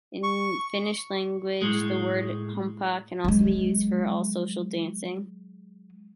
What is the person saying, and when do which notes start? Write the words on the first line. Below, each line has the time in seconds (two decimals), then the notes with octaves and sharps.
In Finnish language, the word humppa can also be used for all social dancing.
0.23 C#6
1.62 A2 G#3
3.24 F#3 G#3